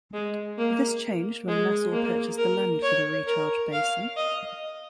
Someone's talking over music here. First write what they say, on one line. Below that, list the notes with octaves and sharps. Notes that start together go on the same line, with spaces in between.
This changed when Nassau purchased the land for the recharge basin.
G#3
A#3
G#3
A#3
A#4
C#5
A#4
F5
D#5